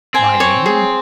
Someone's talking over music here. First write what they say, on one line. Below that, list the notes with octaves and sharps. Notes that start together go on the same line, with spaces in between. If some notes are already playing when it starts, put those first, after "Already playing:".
"My name?"
C4 G#5
C#5
G#4